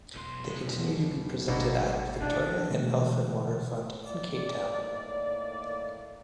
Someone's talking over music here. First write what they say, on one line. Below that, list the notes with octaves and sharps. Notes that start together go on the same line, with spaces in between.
They continue to be presented at Victoria and Alfred waterfront in Cape Town.
E1 B1 C6
G#1 B2 D3 A#3
C3 E3 D4
B2 D3 E3 G#3 A3
A2 D#3 A#3 D5